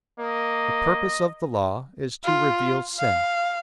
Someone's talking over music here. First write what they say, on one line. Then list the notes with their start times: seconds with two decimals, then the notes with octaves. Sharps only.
The purpose of the Law is to reveal sin.
0.19 A#3 D#5
2.25 F4
2.99 F5